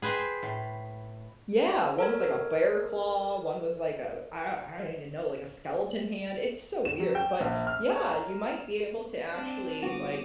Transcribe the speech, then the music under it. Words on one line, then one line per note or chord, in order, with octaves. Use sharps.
Yeah, one was like a bear claw, one was like, uh, I I don't even know, like a skeleton hand, it's so weird, but yeah, you might be able to actually, like,
G#4 B4 C5 D#5 G5
A2
A4 A#4 C#5
E7
F#3
G5
A#1
F6
C#5
A#5
C4 D4
G1 F#4 D6 D#6